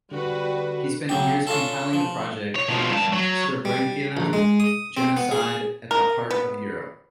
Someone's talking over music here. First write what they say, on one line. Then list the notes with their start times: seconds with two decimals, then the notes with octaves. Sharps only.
He spent years compiling the project "Srebrenica - genocide at the heart of Europe".
0.11 D3 G3 F#4 B4
1.09 C#3 F#3 G4
1.47 C#4 D4 F4 A4
1.93 F3
2.56 C#5
2.68 B2 F3
2.90 G2 A5
3.13 F#3
3.65 G3
4.17 A#1
4.33 G#3
4.60 D#6
4.97 C4
5.17 B3
5.32 G#4
5.91 A#4
6.31 B3